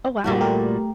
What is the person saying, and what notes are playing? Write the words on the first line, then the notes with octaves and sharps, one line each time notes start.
Oh wow.
A#2 G3 F#4
A3 G4 A#4